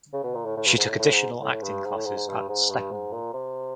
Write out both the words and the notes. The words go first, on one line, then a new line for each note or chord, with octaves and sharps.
She took additional acting classes at Steppenwolf.
C#3
B2
A#2
A2
A2
G2
G#2
A2
A2
G#2
A2
G2
G#2
A2
G#2
G#2
G2
G#2
G2
G#2
A#2
C3